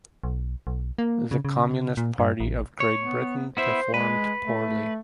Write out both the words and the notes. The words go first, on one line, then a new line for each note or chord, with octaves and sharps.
The Communist Party of Great Britain performed poorly.
B1
B1
A#3
C#3
C#3
A#2
G2
A1
C#5
B3
B3 E4 C5 E5
G#3 B4
A3